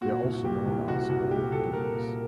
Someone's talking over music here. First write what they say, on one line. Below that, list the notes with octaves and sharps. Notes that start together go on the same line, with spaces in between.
They are also known as 'Old Boys'.
A#2 F#4
C2
A#2 G4
C2
C2 F#4
C2 F#4
A#2 G4
C2 A4
A#2 A#4
A#2 A#4